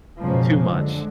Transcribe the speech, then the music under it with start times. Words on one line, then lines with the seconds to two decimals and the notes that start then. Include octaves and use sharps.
N too much.
0.23 F#1 B2 F3 G#3 A#3 C#4
0.68 D3 G#3